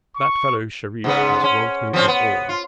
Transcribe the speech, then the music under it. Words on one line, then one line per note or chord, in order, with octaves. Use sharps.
That fellow Sherif has robbed me of all.
C#6
G#2 C#3 B3
C#4
F3 C4 C#4
B3
F4